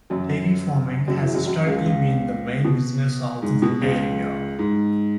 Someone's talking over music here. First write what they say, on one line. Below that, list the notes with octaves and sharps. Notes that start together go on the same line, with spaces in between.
Dairy farming has historically been the main business of the area.
F#2 F#3
F#2 F#3
E2 E3
F#2 F#3
F#2 F#3
C#2 C#3
C#2 C#3
B2
G#2
B2
C#2 C#3
G#2